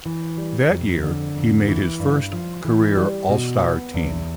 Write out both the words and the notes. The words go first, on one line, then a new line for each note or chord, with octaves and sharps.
That year he made his first career All-Star team.
E3
G3
F2
D3
F2
E3
G2
F3
E3
G3
B2
B3
E2